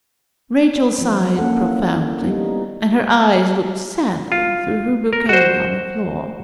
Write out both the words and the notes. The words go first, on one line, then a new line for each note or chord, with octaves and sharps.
Rachel sighed profoundly, and her eyes looked sadly through her bouquet on the floor.
F3 C4
A#3 C#4 A4 F#5
E4
G3 B3 D#4
F4
A#4
F#4 C5